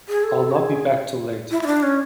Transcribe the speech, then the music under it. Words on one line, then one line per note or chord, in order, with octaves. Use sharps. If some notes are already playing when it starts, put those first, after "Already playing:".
I'll not be back till late.
G#4
A4
F#4
G#4
E4
E4
D4
C#4